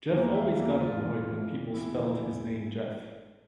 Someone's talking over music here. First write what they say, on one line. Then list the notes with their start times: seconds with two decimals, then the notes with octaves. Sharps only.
Geoff always got annoyed when people spelt his name Jeff.
0.11 E2 E3 A#3
0.34 F1 E5
0.42 F5
0.51 E5
0.57 E2 E3 A#3
0.80 F1 F4
1.04 F2 E3
1.27 F1
1.51 F2 E3
1.74 E2 E4
1.97 D3 F3 A3 D4
2.21 E2